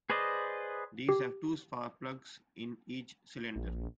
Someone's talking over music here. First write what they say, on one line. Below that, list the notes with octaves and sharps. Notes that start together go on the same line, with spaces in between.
These have two spark plugs in each cylinder.
G#4 B4 C5 D5 D#5
G4
A#1